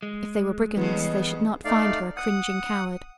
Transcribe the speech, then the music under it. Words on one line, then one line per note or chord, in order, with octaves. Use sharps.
If they were brigands they should not find her a cringing coward.
G#3
F2 C#3 E3 G3 B3
A3 D#4 D5 F5
F#5 D#6